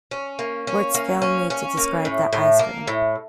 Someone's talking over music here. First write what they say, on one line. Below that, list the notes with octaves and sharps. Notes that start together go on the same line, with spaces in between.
Words fail me to describe that ice cream.
C#4
A#3
C#4
A#3
C#4
C#4
A#3
A2
A2
A#3
A2